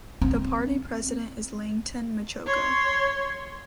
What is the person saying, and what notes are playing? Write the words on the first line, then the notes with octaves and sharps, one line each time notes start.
The party president is Langton Machoko.
C4
C#5 C6